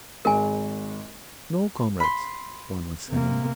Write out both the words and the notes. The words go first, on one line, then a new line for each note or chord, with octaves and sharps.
"No, comrades," one was saying.
G#1 G#3 A#4 G#5
B5 C6
C3 A#3